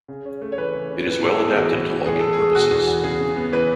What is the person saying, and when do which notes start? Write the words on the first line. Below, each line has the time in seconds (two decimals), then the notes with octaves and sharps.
It is well adapted to logging purposes.
0.08 C#3
0.25 C#4
0.42 A3
0.52 C#5
0.58 E3 B4
0.75 C#3
0.90 C#4
1.07 A2 B4
1.23 A2 A4
1.40 B3 G#4
1.56 E3 F#4
1.72 A2
1.89 A2
2.05 E2 G#4
2.19 E2 A4
2.33 G#4
2.38 G#3
2.55 B2 F#4
2.71 E2
2.87 E2
3.03 C#3 G#4
3.20 C#3
3.36 B3
3.52 E3 B4